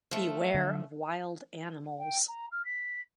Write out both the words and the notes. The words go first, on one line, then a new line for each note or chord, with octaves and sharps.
Beware of wild animals.
F3 A3
D3 F#3 D4
G5
A#5
F6
B6